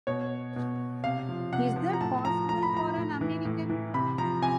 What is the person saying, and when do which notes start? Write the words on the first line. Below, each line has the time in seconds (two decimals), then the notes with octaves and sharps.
Is that possible for an American?
0.07 B2 C#5
0.56 B2
1.04 C3 F5
1.29 F3
1.53 C3 F#5
1.76 F3
1.93 A#5
2.01 A2 A5
2.24 F3 A#5
2.49 A2 A#5
2.63 B5
2.73 F3 A#5
2.97 A2
3.21 E3
3.45 A2
3.70 E3
3.94 C3 B5
4.18 F3 A#5
4.42 C3 G#5